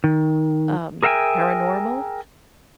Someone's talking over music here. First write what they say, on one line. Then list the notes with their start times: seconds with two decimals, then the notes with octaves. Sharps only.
um, paranormal,
0.04 D#3
1.03 G#4 A#4 E5 F5 G5 G#5